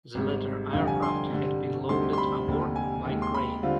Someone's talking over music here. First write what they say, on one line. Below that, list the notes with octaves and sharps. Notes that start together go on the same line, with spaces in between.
The latter aircraft had been loaded aboard by crane.
G#1 G#2 G3
F1 F2 D3 G3 D4 F5
G#5
C6
G2 D3 G3
D2 C3 G3 C4 D#4 C6
C6
B5
F1 D#2 D3
G#5
D#2 D#3 G#3
C6
B5
D3 G3 C4 F4